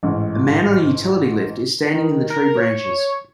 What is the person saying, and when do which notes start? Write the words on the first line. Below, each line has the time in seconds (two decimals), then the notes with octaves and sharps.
A man on a utility lift is standing in the tree branches.
0.03 A1 G#2
1.94 D#3
2.30 A#4
2.57 C#5